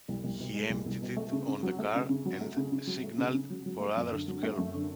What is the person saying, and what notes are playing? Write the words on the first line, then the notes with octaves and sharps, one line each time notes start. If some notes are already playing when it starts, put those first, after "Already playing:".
He emptied it on the car and signalled for others to help.
C2
C2
B2
G#3
C2
C2
B2
A3
C#3
C#3
F#3
A3
C#3
C#3
F#3
A3
C#3
C#3
F#3
A3
C#3
C#3
F#3
F#3
A3
F#2
D3
F#3
A3
F#2
D3